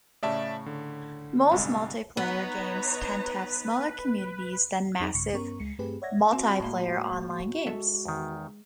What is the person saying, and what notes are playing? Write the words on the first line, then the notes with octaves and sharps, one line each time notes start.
Most multiplayer games tend to have smaller communities then massive multiplayer online games.
A2 C#3 D5 E5 A5
D3
C2 G#2
B3 D#4 B4 C#5 A#5
F2 C4 D#4 G#4
B1 G2 C#3 C#6 C#7
G2 B3 C#4 A#4 C#6
C#2 G#3 C#7
G2 A3 C4 G4 G#4 B4
C#5 D5 E5 F#5 G#6 A#6
C4 F#4
A2 G#3 A#3 C6
G#3 A4 E5
E2 D#3